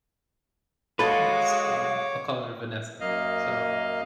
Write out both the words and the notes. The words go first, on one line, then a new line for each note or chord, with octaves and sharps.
let's, uh, I'll call her Vanessa, so
G#3 F#4 A4 B4 C#5 F5 D6
F#2 A#3 D#5 F5